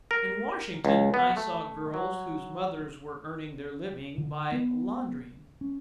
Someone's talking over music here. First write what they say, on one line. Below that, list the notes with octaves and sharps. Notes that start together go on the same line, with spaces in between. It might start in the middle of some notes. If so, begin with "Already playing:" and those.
In Washington I saw girls whose mothers were earning their living by laundrying.
A#4
C#2
B3
A3
F#3
D3
B3
C#4